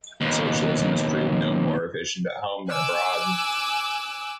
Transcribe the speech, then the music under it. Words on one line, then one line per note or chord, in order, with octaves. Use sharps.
Socialism has proved no more efficient at home than abroad.
D#2 B2
G#5 D6 E6 F#6